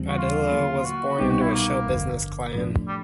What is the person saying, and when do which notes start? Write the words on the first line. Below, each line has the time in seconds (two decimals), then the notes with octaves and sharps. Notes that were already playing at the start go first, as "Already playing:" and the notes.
Padilla was born into a show business clan.
Already playing: D#2 C#3 E3 G3 C4
0.08 F#4
0.18 F4
0.51 D3 F#3 A#3
0.79 F4
0.84 F#4
1.08 F#4
1.18 C2 B2 G3 B3 D#4 G4
1.30 F#4
1.41 E4
1.52 A#3
1.86 G1 F2 D3
2.54 A2 F3 A3 D4
2.88 G3